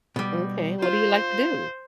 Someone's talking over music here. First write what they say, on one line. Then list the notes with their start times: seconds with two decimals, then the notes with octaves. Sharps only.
M'kay, what do you like to do?
0.16 B2 G3
0.82 F4 C5